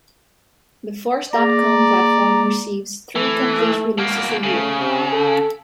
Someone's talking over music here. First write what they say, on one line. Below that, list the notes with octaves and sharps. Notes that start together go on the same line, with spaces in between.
The Force dot com platform receives three complete releases a year.
A#3 G#4 D5 A#5
E3 A3
B2 A#3
C#3 A3
C3
A4